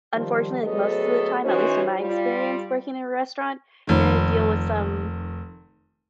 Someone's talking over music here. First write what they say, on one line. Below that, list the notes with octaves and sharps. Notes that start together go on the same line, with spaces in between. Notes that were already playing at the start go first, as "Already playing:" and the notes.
Unfortunately, like, most of the time, at least in my experience working in a restaurant, you're gonna deal with some
D#3 F3 G3
D2 F#3 B3 G#4 A4 D#5
E3 C#4 D#4 F#4 C5
G3 F4
F1 D#3